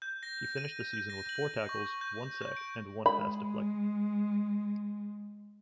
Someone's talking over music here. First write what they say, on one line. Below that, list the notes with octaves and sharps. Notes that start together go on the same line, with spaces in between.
He finished the season with four tackles, one sack and one pass deflected.
G6
A#6
D#7
G6
A#6
F#7
C#6
C#6
G6
G6
D7
G#3 B5